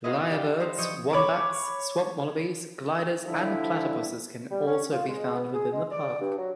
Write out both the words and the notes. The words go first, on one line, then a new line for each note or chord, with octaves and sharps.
Lyrebirds, wombats, swamp wallabies, gliders and platypuses can also be found within the park.
D#4 F4 F#4 G#4 B4 D#5
G4 D5 F5 G5
D#4 B4 C5
F3 C#5 D#5 G6 C#7
C#5 B5 D6
D3 F3 G3 E4
G3
C#4
F4
G#3
B3
G#4
G#3
D5
G2
F#3